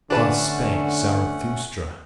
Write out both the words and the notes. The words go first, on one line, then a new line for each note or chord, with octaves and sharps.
Thus spake Zarathustra.
D3 A3 C#4 D4 B4 F#5 A5